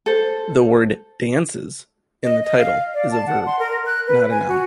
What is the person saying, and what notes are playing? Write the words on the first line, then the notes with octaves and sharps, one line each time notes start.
The word "Dances" in the title is a verb, not a noun.
A4 C5
D#5
D#5
F5
D5
A5
F#5
C6
A#4
F#6
B4
G#5
F#4